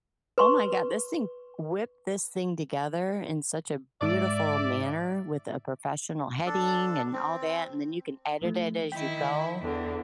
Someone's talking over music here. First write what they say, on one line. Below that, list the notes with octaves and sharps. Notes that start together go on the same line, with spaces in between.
Oh my god, this thing whipped this thing together in such a beautiful manner, with a professional heading and all that, and then you can edit it as you go.
B4 C6 C#6
G#2 D5 E5
D4 A4
C4
E3 F3 A3
D#3 E4 G5 B6
E2 D3